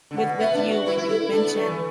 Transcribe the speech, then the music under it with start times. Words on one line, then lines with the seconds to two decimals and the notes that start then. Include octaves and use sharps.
with with you, when you mentioned,
0.11 D3
0.17 B2 F#5
0.39 B3 E5
0.55 D4
0.71 F#4
0.86 E4 B4
0.97 E4
1.09 E4 A4
1.21 E4
1.33 D4 A4
1.44 B3
1.56 A3
1.66 E3